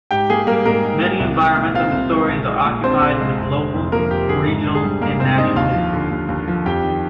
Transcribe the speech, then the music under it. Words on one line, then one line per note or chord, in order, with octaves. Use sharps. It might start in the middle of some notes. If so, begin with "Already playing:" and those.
Many environmental historians are occupied with local, regional and national histories.
G#2 G4 G5
A#3 G#4 G#5
G3 A#3 A#4
G#2 A#3 A#4
G#2
A#3
C2
G#3
A#2
C4 F4 F5
C2
G#3
A#1
G#3
A#2
C4 D4 C5
A#1
G#3
F1
D3
F2
F3 A#3 A#4
F1 G4
D3 G#4
G#2
D4
G#4
G3
G#2 A#3 A#4
G#2 C4 C5
D4 D#4 D#5
D#2 F4 F5
F3
D3
D#2
D#2
F3
F2 G4 G5
D#3